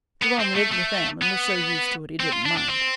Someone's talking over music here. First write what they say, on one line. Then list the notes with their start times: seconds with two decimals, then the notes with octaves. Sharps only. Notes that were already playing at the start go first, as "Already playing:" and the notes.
Jerome lived with them and was so used to it he didn't mind.
0.22 B3
0.39 C4
0.55 A3
0.71 A3
1.22 B3
2.20 C4
2.33 F4
2.46 D4
2.57 D4
2.69 C4